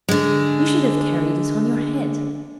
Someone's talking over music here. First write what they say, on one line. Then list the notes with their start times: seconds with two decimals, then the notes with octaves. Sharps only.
You should have carried it on your head.'
0.09 D3 G#3